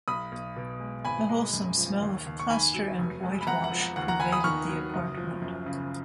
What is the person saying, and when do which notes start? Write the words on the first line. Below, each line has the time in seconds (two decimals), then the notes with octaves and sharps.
The wholesome smell of plaster and whitewash pervaded the apartment.
0.08 B1 B5 D#6
0.32 B1
0.56 B2
0.80 G#3
1.05 G#1 G#5 B5
1.29 G#3
1.53 F#2
1.78 F3
2.02 D#2
2.26 D#2
2.39 C#6
2.50 D#3 G#5 B5
2.74 F#3
2.99 F1
3.23 G#3
3.41 B5
3.47 F2 F#5 A#5
3.64 F#5
3.72 F3
3.80 F#5
3.96 D#2 F#5
4.08 F#5 A#5
4.20 D#2 G#5 B5
4.32 B5 D#6
4.44 D#3 C#6 F6
4.69 F#3
4.94 F#1
5.17 F3
5.42 F#2
5.66 C#3